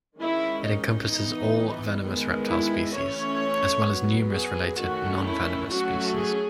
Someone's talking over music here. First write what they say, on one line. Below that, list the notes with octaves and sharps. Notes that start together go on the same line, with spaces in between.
It encompasses all venomous reptile species, as well as numerous related non-venomous species.
D#3 G#3 C#4 E4
D#4
E3 B3
D#3 G#3 B3
E4
E3 A3 C#4 C#5
F#3 B3
G#4
D#3 A3 C#4 F#4
E4
F#3 A3 C#4 F#4
G#4